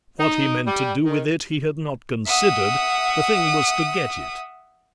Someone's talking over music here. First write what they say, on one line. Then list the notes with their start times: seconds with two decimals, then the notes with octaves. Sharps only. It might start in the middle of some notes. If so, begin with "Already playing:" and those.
What he meant to do with it he had not considered, the thing was to get it.
0.20 D#4
0.67 G3
1.05 D#3
2.26 E5 F#5 D#6